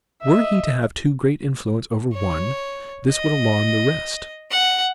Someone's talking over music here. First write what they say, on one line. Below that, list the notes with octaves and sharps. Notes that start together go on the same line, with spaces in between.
Were he to have too great influence over one, this would alarm the rest.
D#5 E5
C#5
D#5
F#5